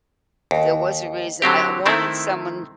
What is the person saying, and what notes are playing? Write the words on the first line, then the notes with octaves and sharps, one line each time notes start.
There was a reason, I wanted someone
D#2
D3 F#3 C4 G4
D#3 A3 C4 E4